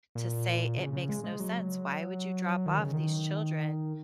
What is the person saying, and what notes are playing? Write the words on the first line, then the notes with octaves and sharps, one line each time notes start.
to say "It makes no sense. Why would you drop off these children
A#2
C#3
C#3
G#3
G#3
F#3
D#3
C#3
D#3